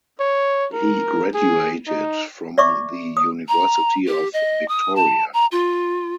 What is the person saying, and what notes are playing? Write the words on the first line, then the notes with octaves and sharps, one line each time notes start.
He graduated from the University of Victoria.
C#5
A#4
G#4
D#4
D5 E5 C#6 D6
D#6
A#5
G4
D#5
D#6
A5
A#5
F4